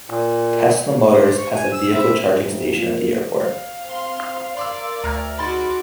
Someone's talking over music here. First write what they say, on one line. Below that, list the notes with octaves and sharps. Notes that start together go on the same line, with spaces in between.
Tesla Motors has a vehicle charging station at the airport.
A#2
C5 D5
C#6
G#5
E6
C4 E4 E5
F1
A#3 F4
F5
C4 C6
A#4 D5 C6 D6 E6
D2 A#5 F6 G#6
D#4 F#4 G#4 B5 C6 D6 A6